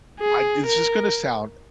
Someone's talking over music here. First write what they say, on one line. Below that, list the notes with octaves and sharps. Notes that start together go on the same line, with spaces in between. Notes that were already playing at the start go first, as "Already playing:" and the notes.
I this is gonna sound,
G#4
A#4